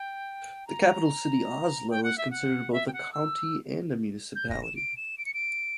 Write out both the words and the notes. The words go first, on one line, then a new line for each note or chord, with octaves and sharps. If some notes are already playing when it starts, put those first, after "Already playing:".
The capital city Oslo is considered both a county and a municipality.
Already playing: G5
A#5
G5
F#5
E5
F#5
E5
G5
F#5
E6
G6
A#6
E7
D7
E7
D7
C#7
D7